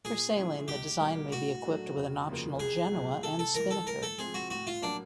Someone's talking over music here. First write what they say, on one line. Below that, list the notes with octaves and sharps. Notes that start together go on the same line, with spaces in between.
For sailing the design may be equipped with an optional genoa and spinnaker.
A#2 G#4
F3 G#3 C#4 E4
C#2 G4
B2 G3 A#3
A2 F#4
F#3 A3 D4
F1
D#2 C#3 F3 A#3
C2 G#4
A#2 F#3
C3 A4
A4
E3 G3 A#4
A4
A2 A#4
A4
F3 G#3 C4 G#4
F#4
A2 F#4
F4
F#3 A#3 D4